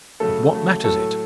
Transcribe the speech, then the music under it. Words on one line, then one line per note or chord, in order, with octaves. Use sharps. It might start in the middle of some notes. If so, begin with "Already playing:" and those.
But what matters it?
C#3 F#3 A3 A4
C#3 F#3 A3
A2 F#3 A3 A4